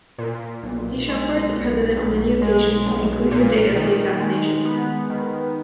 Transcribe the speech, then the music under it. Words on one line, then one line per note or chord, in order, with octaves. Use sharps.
He chauffeured the president on many occasions, including the day of the assassination.
A#2
B1
G#3
B1
B1
G#3
B1
A#2
D#3
G#3
B3
D#3